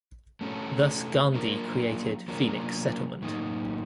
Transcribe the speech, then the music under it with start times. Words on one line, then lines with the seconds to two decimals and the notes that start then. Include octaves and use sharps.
Thus Gandhi created "Phoenix Settlement".
0.41 A3 C#4 F#4 A4
1.34 F#3 A#3 D4 F4 A#4
2.28 F#3 A#3 D4 F4 A#4
3.22 A2 F#3 A#3 D#4